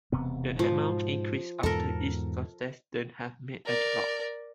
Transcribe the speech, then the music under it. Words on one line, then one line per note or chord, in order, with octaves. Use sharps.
The amounts increase after each contestant has made a drop.
E1 C3 B3
G#2 B2 F3
E2 G#2 B2 A4 A#4
A#4 D5